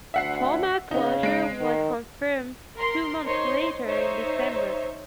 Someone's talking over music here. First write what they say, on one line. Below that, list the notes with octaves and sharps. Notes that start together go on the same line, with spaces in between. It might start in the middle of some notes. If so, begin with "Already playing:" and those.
Formal closure was confirmed two months later in December.
D2 E5 F#5 C7
C#3 B3 D#4
G#3 D7
D#3
A#4 C6
D#4 C5 C#5 C6
D#4 C5 C#5 E5